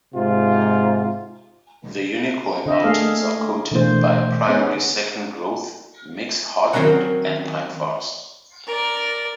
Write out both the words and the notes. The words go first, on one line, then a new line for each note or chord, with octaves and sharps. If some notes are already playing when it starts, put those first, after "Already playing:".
The Unicoi Mountains are coated by a primarily second-growth mixed hardwood and pine forest.
G#2 C3 F4
D3 D#5 E5
A3 A#3 G#4 A4 F5
B2 D3 E3 A3 A#3 C5
B3 C#4 G#4
D#3 F#3 C4 C#4 A#4 F#5
A#4 D5